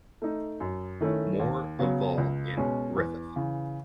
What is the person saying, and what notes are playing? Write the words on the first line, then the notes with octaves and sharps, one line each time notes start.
Moore Oval in Griffith.
A3 D#4
F#2
D#3 A3 C#4 E4
D#2
C#3 F#3 B3
C#2
B2 G#3 C#4
E2
C#3 E3